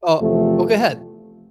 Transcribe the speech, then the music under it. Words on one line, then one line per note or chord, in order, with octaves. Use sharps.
oh oh, go ahead.
E2 C3 F3 A3